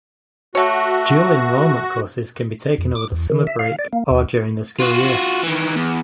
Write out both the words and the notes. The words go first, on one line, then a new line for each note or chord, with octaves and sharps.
Dual-enrollment courses can be taken over the summer break or during the school year.
A3 F#4 C#5
F2
D6
E2
D#3
E5
F5
D5
A#3
D#2
F4 F#4
D#3 E3
E2